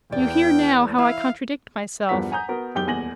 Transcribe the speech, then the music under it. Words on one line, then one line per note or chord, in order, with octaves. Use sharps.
You hear now how I contradict myself.
E2 D5 G5
E4 F5
E2 G2 F3 A#4 F#5 B6
F#5 G#5 A#5 D#6 G6
B3 F#4 A#4
E1 F#2 G4 G5 G6 G7
D#1 E2 G#5 A#6 F#7